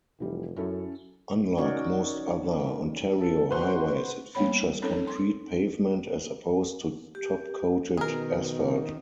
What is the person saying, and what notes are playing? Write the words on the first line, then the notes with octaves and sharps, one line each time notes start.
Unlike most other Ontario highways, it features concrete pavement as opposed to top-coated asphalt.
F1 E3 G3
F#2 C#4 E4 A4
C#4 D#4 F#4 A#4 C#5 D5
A4
F#4 B4 C5 F#5
G3 A#3 B3 C#5 B5
C4 C#4 D#4 A4 A#4 C#5
C6
G4
B2 D#3 G#4 A#4